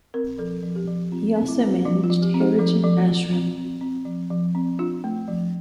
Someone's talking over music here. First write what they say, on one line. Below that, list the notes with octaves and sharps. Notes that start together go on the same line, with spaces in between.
He also managed Harijan Ashram.
C4 A#4
F3 A4
F3
G4
F3
C4 F4
C4
E4
C4
F3 D4
F4
F3
G4
C4
G4
F3 A4
F3 A4
F3 F4
C4
C4
C4
F3
F3
C4
D4 F4
A3
F3